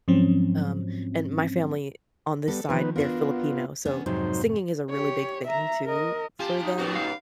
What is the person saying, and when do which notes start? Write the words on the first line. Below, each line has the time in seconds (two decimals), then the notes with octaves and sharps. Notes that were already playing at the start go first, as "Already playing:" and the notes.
um, and my family on this side, they're Filipino, so singing is a really big thing too for them,
0.08 G#2 F3 F#3 C4 C#4
2.48 G3 B3 A4
2.69 D#3 F3 B3 D#4 B4
2.96 B3 D4 F4 F#4 A#4
3.85 B3 C#4 D4
4.06 F2 G#2 C3 F#3 D#4 C5
4.90 G4 C#5
5.45 E5 A#5
5.85 A#4 D#5
6.40 C#4 F4 G4 A5
6.60 D#4
6.79 F#2 A2 B3 C4 F#4
6.95 F5